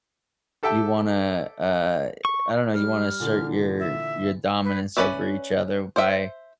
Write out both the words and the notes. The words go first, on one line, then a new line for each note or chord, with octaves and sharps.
you wanna, uh, I don't know. You wanna assert your your dominance over each other by
G4 A4 E5 G5 A5
C#6
G3 F6
A#2 D3 E3
E5
B4
C#4 F4 B4 D5 E5
C5 E5